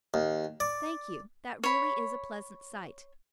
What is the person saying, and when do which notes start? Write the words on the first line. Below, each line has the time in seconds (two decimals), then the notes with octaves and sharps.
Thank you, that really is a pleasant sight.
0.14 D#2
0.60 D5
1.64 C#5 B5